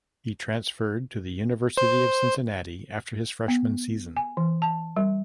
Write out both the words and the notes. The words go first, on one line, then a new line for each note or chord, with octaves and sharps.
He transferred to the University of Cincinnati after his freshman season.
C5
B3
G#5
E3
A5
G3